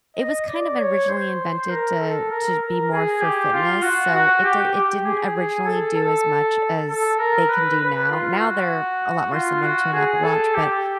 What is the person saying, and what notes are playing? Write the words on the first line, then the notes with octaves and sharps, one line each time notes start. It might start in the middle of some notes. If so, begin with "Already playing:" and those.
It was kind of originally invented to to be more for fitness, so, it d it didn't originally do as much as they can do now. Now they're a lot more similar to an Apple Watch, but
D#5
D5
C#5
C5
A#4
A4
A#4
A#4
G#4
G4
F4
F#4
F#4
G4
G4
G#4
G#4
A4
A4
A4
A#4
B4
B4
F4
F#4
F4
F#4
G#4
A4
G4